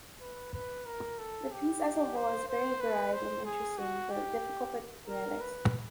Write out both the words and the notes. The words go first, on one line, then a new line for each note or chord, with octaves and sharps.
The piece as a whole is very varied and interesting, but difficult for the pianist.
B4
B4
A#4
A4
G4
C5
C5
B4
C5
G#4
F#4
G4
A#4
B4